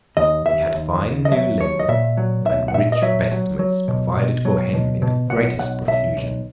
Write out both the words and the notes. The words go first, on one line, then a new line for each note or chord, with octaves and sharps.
He had fine new linen, and rich vestments provided for him in the greatest profusion.
D#2 D#5
D#2 E5
D#2
D#2
D#5
F#3 E5
D#2 C#5
D#5
A#2 E5
F#3
B1 E5
F#5
A#2 E5
D#5
F#3 E5
F#3
F#3
B2
B2
F#3
B2
B2
B1 F#5
B1 F#5
B1 E5
B1